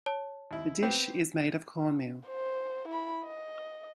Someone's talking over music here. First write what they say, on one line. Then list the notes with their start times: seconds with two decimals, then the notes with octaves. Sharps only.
The dish is made of cornmeal.
0.06 C#5 A5
0.51 D#2 E4
0.83 B3 C4 G4
2.27 C5
2.88 E4 B5
3.24 D#5